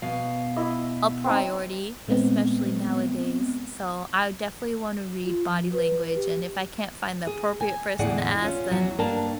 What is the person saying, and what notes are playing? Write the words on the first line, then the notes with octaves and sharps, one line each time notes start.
a priority, especially nowadays. So, I definitely wanna read body language, and if I can't find the appropriate person to ask, then
B2 F5
E4 D#5
C4 D#4
A#2 G#3 A3 B3 C4
F4
F3
B4
G4
G#4
G#5
E2 A2 D3 G#4 D5 F#5
C#4 F4
E2 F#3
G2 A#3 D4 A5